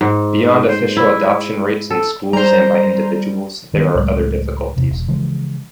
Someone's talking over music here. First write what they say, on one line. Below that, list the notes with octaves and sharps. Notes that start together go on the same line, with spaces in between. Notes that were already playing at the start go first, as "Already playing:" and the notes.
Beyond official adoption rates in schools and by individuals, there are other difficulties.
G#2
C5
E4
A4
G3 C5 A#5
D#3 B3
C#2 A2 F#3 G#3
E2 C3
E1
C#3 E3 F3 G#3